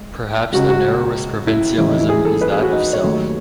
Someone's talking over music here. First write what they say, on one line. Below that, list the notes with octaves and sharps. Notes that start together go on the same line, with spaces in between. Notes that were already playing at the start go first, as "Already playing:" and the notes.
Perhaps the narrowest provincialism is that of self.
Already playing: G#3
C#2 C#3 G#3 F#4
F#4
E4
D#2 C#3 E3 G#3 E4
D#4
E4
G#4
A4
B4
G#4
F#4
D#4
C#5
D#2 D#3 F#3 A3